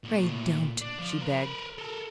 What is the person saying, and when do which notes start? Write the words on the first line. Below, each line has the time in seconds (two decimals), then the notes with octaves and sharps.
"Pray don't!" she begged.
0.04 A#2 A3
0.81 D4
0.99 F3
1.21 A#4 B4
1.78 A4 A#4